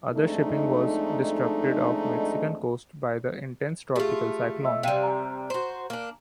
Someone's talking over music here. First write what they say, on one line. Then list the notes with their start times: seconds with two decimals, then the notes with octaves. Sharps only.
Other shipping was disrupted off the Mexican coast by the intense tropical cyclone.
0.13 F2 G#3 A3 D4 D#4
3.96 A3 F4 G4 G#4
4.63 D#5 E5 E6
4.83 C3 G3 F5 G5 D#7
5.03 G#5 A#5
5.50 F#4 C5
5.90 A#3 D4